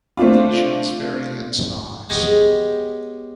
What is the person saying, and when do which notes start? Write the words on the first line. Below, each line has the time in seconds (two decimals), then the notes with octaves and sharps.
Lesions vary in size.
0.17 A3 C4 D4 F4
2.09 G#3 B3 G4 C#5 D#5